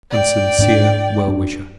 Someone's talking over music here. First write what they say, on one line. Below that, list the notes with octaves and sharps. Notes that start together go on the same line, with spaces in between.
And sincere well-wisher.
D5 G5
G#2 C4 D4
D4